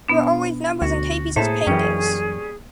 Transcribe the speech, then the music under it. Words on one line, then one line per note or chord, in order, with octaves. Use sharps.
There are always numbers in Tapies’s paintings.
B2 B3 D4
D2 F#4
A2 A#3 E4 G#4 A4 C5
F#2 E3 G3 C#4 G5